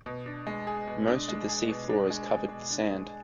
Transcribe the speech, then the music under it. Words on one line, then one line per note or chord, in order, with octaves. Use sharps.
Most of the seafloor is covered with sand.
B2
D4
G#3
G#4
B2
D4
G#3
G#4
B2
D4
G#3
G#4
B2
D4
G#3